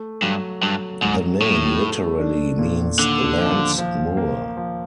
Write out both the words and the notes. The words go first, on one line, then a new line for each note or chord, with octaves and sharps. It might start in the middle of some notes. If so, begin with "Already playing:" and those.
The name literally means "lambs' moor".
Already playing: A3
G2 F#3
G2 F#3
G#2 F#3
A2 A3
A3
D4
A#2
D#2 D3
F3
F3
A#3
F3